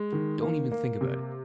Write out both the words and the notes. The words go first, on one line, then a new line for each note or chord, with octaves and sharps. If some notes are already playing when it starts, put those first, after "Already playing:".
Don't even think about it!
Already playing: G#3
D#3
A#3
A#3
C3